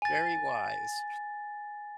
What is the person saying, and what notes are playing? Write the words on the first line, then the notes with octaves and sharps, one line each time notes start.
Very wise.
G#5 A6